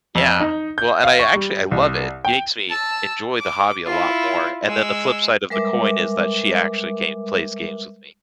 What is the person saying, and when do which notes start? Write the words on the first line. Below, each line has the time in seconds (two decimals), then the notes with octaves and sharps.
Yeah. Well, and I actually I love it, gakes me enjoy the hobby a lot more. And then, the flip side of the coin is that she actually game plays games with me.
0.15 F2
0.40 D#4
0.78 G6
1.04 F5
1.20 C#6
1.36 G3
1.71 C2
2.25 G5
2.69 A5 E6
3.39 D6
3.86 E4 F4
4.65 G#3 E6
5.50 G3 G#3 A#4 B4 E5 D6